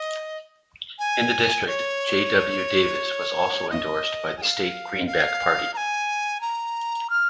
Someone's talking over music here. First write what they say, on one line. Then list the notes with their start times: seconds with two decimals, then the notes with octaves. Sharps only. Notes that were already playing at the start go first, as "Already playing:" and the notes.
In the District, J. W. Davis was also endorsed by the state Greenback Party.
Already playing: D#5
0.99 G#5
1.67 C#5
3.70 D#5
4.38 G#5
4.42 F5
5.07 F5
5.74 A#5
5.77 G#5
6.41 A#5
7.10 F6